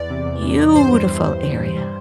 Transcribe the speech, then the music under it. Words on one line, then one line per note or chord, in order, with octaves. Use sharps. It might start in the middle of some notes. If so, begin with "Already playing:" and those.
Beautiful area.
Already playing: E2 E3 D5
C3
E2
E2
E2
G2 C5
G3
E3
G2
G2
G2
G3